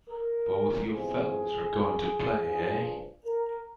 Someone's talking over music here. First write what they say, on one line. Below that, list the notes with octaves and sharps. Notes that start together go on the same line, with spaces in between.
Both you fellows are going to play, eh?
A#4
E2 C3 F3 G#4
G2 F3
A#4